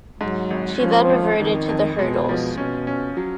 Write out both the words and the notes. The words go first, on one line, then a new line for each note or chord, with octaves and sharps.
She then reverted to the hurdles.
G#2 F#3
G#1
F3 C#4
G#1
F2 D#3
F2
B2 G#3
F3
B2 C#4
C#4
F#3